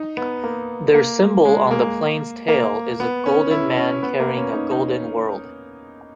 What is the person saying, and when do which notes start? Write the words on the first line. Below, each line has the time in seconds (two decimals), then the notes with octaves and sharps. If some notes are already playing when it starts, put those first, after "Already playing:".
Their symbol on the plane's tail is a golden man carrying a golden world.
Already playing: D#4
0.17 B3
0.44 A#3
0.95 A#3
1.45 G#3
1.71 A#3
2.48 A#3
3.00 B3
3.26 C#4
3.51 E4
3.77 C#4
4.03 B3
4.20 A#3
4.37 C#4
4.53 D#4
4.71 D#4
4.88 C#4